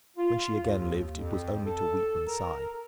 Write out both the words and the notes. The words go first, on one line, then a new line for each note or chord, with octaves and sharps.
When she again lived, it was only to weep and sigh.
F4
D#2
F2
A4
A#4